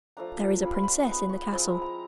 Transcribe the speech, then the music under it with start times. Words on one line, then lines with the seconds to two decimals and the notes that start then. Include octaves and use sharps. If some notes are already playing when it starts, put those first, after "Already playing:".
'There is a princess in the castle.
0.17 F3 A3 D4 A#5
0.62 G3 C4 F4 B5
0.73 C6
0.84 B5
1.06 G#3 B3 D#4
1.29 C#6
1.52 F3 G#3 C4 E4 B5
1.66 A#5
1.82 A#5